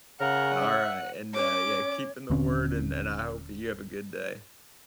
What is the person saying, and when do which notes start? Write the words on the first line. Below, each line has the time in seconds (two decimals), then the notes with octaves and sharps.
Alright, and, uh, yeah, keeping the word, and and I hope you have a good day.
0.21 C#3 A#4 F#5
0.61 E5
1.34 C#4 C#5 D6
2.30 D#1 D3 C4 C#4